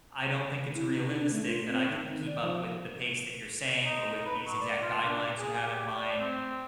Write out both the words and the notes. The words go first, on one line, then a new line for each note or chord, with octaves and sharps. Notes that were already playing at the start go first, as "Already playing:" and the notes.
I don't think it's realistic that I can keep up with the pace that you're saying or with these exact guidelines you have in mind."
E4
D#4
D4
A3
F4
C4
D#3
D5
F3
D#4
B4
F#3
D5
F4
D4
G#4
G4
D5
C4